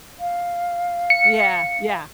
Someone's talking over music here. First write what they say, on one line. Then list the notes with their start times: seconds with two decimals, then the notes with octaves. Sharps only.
Yeah, yeah.
0.19 F5
1.10 C#7